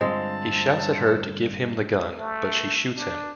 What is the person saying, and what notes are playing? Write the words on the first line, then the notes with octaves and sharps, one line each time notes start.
He shouts at her to give him the gun but she shoots him.
G2 D3 G#3 C4 F4 A5
A3
D4